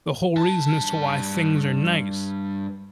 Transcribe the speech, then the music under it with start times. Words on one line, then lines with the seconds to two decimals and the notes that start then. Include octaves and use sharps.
the whole reason as to why things are nice.
0.36 G2 A5